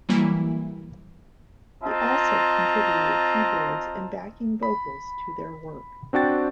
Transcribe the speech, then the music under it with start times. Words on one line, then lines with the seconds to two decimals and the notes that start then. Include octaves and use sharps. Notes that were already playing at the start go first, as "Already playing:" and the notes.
He also contributed keyboards and backing vocals to their work.
0.09 E3 F#3 G3 A#3 E4
1.83 C4 F4 D#5 A5 A#5
4.63 B5
6.13 C4 D4 F#4 G5 A6